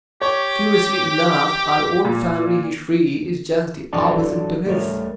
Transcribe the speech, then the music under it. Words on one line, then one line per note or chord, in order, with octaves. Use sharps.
Curiously enough our own family history is just the opposite to his.
G4 C#5
A#2
E3 F#3 D4 A4 D5 A5
G3 A3 A#4 C5 C#5